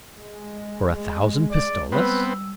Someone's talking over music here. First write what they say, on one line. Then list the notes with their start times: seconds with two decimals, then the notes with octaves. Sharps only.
"For a thousand pistoles?"
0.17 G#3
1.51 D5
1.92 G3 B3 C4 B4 E6